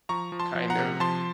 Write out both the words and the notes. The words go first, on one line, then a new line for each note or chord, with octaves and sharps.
kind of
F3 A#5 C#6
F3
A5 C6
F3
F#5 A#5
C3
F3 A5 C6